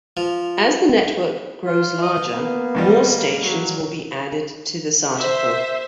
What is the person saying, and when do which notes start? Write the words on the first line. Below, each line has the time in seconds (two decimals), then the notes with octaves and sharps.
As the network grows larger, more stations will be added to this article.
0.17 F3
1.66 F4
2.02 D#5
2.32 A#3 B3
2.75 G#2 D#3 G3
3.42 F#3
5.16 C5 E5